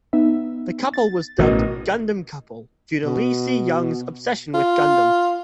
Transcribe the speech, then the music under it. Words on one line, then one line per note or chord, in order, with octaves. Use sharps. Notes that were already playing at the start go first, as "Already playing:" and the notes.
The couple was dubbed "Gundam Couple" due to Lee Si-young's obsession with Gundam.
B3 D#4 E5
A6
A1 B2 E3 F#4 A#4 D#5
B2
F4